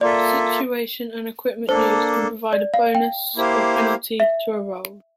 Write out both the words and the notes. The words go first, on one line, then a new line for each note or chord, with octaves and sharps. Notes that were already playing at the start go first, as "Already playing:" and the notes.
Situation and equipment used can provide a bonus or penalty to a roll.
A#3 F4 A4 D5 E5
A#3 D4 A4 C5
D5
F5
G5
A#3 E4 G4 C5 F5
E5